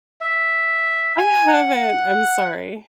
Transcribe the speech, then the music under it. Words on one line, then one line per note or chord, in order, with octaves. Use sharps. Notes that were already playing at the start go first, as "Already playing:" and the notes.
I haven't, I'm sorry.
E5
G#5
F#5